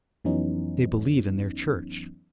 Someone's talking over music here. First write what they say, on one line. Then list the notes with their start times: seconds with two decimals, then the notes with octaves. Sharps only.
They believe in their church.
0.24 F2 E3 F#3 B3 C#4 D#4